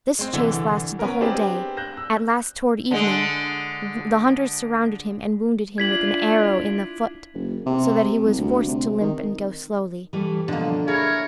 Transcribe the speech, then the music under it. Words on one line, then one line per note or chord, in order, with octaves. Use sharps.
This chase lasted the whole day; at last, towards evening, the hunters surrounded him, and wounded him with an arrow in the foot, so that he was forced to limp and go slowly.
G#3 C4
C2 D3 E3
B3 C#4 A#4
C4 D4 G4 G#4 B4
F#6 G6 A#6 E7
E6
D3 G#3
D4 E4 F4 G#6 B6 F#7
F#1
C3
C2
D2
C3
D#3
E3 G3 A3
B2 D3 F3 A#3
E4 G#4 A#4 C#5